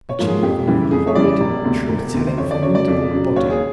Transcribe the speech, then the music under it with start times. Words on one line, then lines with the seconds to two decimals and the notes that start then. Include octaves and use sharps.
But you are a horrid, truth-telling, formidable body.
0.09 C#5
0.19 G#2 F3 A#3
0.27 G#4
0.43 F2 G4
0.67 C#3 E3 G3
0.91 F2 G#4
1.07 C#5
1.15 C#3 E3 G3 D5
1.41 E1
1.64 D2 C3
1.89 E1
2.14 D2 C3
2.27 C5
2.38 F2 C#5
2.51 D5
2.62 C#3 F#3 C#5
2.75 D5
2.88 F2
3.11 C#3 F#3
3.36 D#2 C#5
3.50 G#4